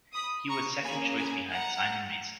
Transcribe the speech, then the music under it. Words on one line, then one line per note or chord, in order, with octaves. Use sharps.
He was second choice behind Simon Mason.
B5 D#6
A#5 C#6
A#3 C#4 G#4 G#5 B5
G#5 B5
F#5 A#5